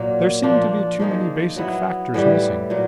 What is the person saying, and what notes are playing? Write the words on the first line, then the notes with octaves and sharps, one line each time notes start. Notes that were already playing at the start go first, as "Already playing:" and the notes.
There seem to be too many basic factors missing.
Already playing: A#2 F#3 A#3
F3 A#3 D4 F4
F3 A#3 D#4 G#4
F#3 B3 E4
A2 E3 G3
A#2 F#3